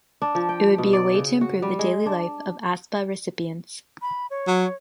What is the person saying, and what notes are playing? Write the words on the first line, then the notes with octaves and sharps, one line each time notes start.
It would be a way to improve the daily life of ASPA recipients.
D4
F3
G5
B2
D5
C#3
F#4
G3
G#3
D4
B5
C#5
F#3